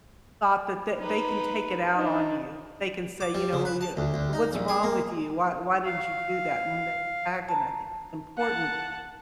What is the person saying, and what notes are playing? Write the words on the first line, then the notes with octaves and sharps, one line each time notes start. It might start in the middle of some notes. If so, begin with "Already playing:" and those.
thought that th they can take it out on you. They can say, "You know, well, you you, what's wrong with you? Why why didn't you do that?" And they agoni I think important
D#4 B4
D4 D#4
D6
G3
C#3
B4
A5
D2
D2
D#4
A#1
G#4
A#3
F5
A5 A#5
F#5 A5